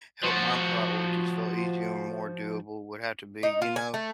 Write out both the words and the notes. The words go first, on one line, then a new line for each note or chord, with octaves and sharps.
help my priorities feel easier and more doable would have to be, you know,
F3 F#4
D#4
F4
G#5
A3